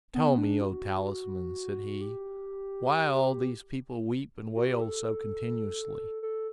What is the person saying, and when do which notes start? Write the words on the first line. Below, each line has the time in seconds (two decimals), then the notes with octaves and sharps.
"Tell me, O Talisman," said he, "why all these people weep and wail so continuously?"
0.14 B3
0.38 D4
0.61 F#4
2.01 G4
4.56 F#4
4.69 G4
4.82 A4
6.23 A4